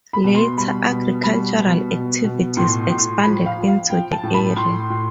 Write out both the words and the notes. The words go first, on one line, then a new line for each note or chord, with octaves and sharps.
Later, agricultural activities expanded into the area.
B5
B2
C6
G3 B5
B2
G3 B5
B2
B2
B2
A2 C6
A2
F3 B5
F5
F3
F5
F3 G5
A5
A2
B5
A2 C6
A2